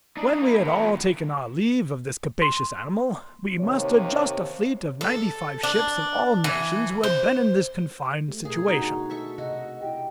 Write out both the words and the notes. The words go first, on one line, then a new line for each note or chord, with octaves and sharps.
When we had all taken our leave of this capacious animal, we mustered just a fleet of ninety-five ships, of all nations, who had been in this confined situation.
D4 D#4
A#3 E4
A2
E2 A#2
C6
D#2 C3 C#5
A4
D4
E3
C5
A3 G4
B2 G#4 A#4
D4 D#4 F#4 G#4 F#5
A4 E5 C#6
C3 F#4 D#5
E4 G4 G5